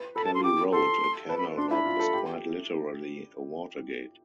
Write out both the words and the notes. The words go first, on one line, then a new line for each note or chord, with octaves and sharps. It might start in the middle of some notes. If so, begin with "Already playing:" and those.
Kelly wrote, a canal lock is quite literally, a water gate.
Already playing: B4
A4 B5
A5
C6
F4
G4 D6
A4 C6
B4 A5
B5
D4 C6
E4 B5
F4
A4
G4